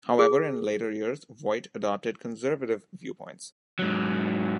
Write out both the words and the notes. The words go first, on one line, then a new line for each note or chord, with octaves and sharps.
However, in later years, Voight adopted conservative viewpoints.
G#4
G#2 F#3